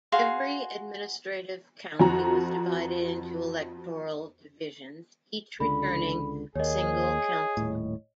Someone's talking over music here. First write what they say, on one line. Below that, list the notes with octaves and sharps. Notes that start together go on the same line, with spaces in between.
Every administrative county was divided into electoral divisions, each returning a single councillor.
F#4 G#4 F5 C6
F2 F#4 A#5
C#2 D3 B5
D#2 A#3 G#4 C#5 D#5
D#1 A2